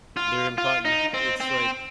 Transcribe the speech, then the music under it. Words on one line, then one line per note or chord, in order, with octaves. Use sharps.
uh, they're in part you ca it's, like
F4
F4
D#4
C4
C4